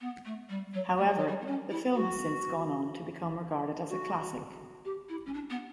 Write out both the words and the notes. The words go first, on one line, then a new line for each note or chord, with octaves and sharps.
However, the film has since gone on to become regarded as a classic.
B3
A3
G3
F#3
A3
G3
F#3
G3
B3
C#4
E4
F#4
F#4
G4
E4
C#4
D4
B3